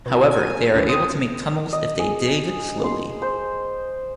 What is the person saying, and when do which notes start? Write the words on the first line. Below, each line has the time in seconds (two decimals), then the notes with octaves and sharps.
However, they are able to make tunnels if they dig slowly.
0.06 B2 E4
0.31 G#5
0.74 D2 D3 E3
0.89 C4 D#6
1.73 D#5
1.99 G#4
2.84 C6
3.22 C5